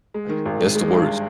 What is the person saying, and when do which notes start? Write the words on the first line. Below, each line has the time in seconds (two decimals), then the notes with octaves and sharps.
Like, that's the worst.
0.14 G#3
0.29 D#3
0.45 G#1
0.60 G#3
0.75 G#3
0.90 G2